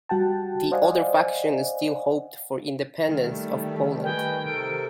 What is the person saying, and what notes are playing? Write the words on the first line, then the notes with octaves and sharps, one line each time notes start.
The other faction still hoped for independence of Poland.
G3 F#4 F#5 G5 A5
C5 D5 D#5 F5 F#5 G#5
D#3 G3 A3
B4 D#5 G5 G#5
C3 A4 A#4 D7